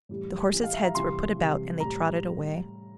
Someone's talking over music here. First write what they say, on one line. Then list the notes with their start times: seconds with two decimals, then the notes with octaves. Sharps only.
The horses' heads were put about, and they trotted away.
0.09 A2 E3 G3
0.53 A2 E3 G3
0.64 F5
0.74 E5
0.84 A#5
0.94 C3 E3 G3 C6
1.38 C3 E3 G3
1.80 A2 G3 A#5